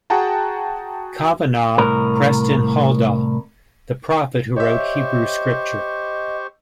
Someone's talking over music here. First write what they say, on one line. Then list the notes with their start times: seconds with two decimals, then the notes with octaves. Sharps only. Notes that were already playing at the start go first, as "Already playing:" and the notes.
Kavanagh, Preston Huldah - The Prophet Who Wrote Hebrew Scripture.
0.10 F#4 G#4 F#5 G5 A5 A#5
1.78 C2 A2 A#4
4.56 G4 C5 C#5 D#5 E5 C#6